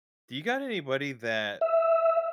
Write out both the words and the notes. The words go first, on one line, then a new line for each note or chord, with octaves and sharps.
Do you got anybody that, uh,
E5